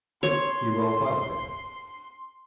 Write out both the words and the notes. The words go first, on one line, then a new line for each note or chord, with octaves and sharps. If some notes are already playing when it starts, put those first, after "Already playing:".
"He will fight, then?"
C#5 C6